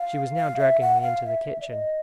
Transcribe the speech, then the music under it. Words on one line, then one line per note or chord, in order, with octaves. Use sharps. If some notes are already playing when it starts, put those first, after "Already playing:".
She was now dragging me into the kitchen.
Already playing: F5
F5
E5
F#5
F5
E5
D5
D#5